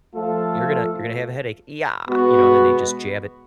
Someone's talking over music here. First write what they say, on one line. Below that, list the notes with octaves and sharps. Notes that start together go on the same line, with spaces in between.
you're gonna you're gonna have a headache, e yah you know, and then they just jab it
F3 A3 F4 A4
B2 G#3 B3 F#4